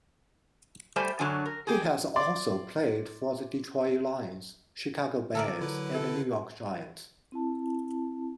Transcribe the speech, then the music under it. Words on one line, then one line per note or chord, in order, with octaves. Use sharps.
He has also played for the Detroit Lions, Chicago Bears, and New York Giants.
G3 A3 G4 C5 G#5
F#2 D3 E3 F#3 D4 G#5
A#4
G4 G#4
D5 C6
D3 C4 A4 A#4 D5
D3 F#3 E4 B4
A4
C4 E4 A5